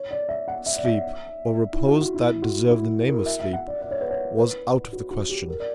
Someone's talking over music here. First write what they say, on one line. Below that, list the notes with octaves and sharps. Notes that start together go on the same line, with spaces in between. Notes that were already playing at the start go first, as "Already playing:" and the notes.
Sleep, or repose that deserved the name of sleep, was out of the question.
Already playing: C#5
D5
E5
F#5
E5
D5
E5
E4
F#4
F#4
E4
F#4
E4
A#4
E5
E5
F#5
D5
D5
C#5
B4
C#5
B4
F#4
F#4
G4
A#4
D5